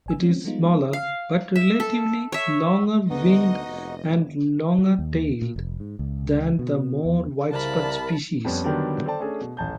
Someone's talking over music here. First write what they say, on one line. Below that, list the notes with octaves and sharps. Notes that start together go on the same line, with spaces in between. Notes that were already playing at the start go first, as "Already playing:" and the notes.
It is smaller, but relatively longer-winged and longer-tailed than the more widespread species.
G#1 G#5 E6
F3 G#3 C4 C#4
F3 G3 G#3 B3 D#4 F4
F5
E5
A4
C#5 E5
D2 B3 D#4 F#4 D#5
F1
F#3
D#2
A#2
F1
G#2
C#2
B2
E2
C2 C#3 A#4 D5 A5 B5
F2 G3 B3 C#4
D3 D#3 F#3 G3 B3 D4
A4 C5 D5 G5 A5
A3 C#4 D4 G#4 A4
B2
D#1 A1 A5 G6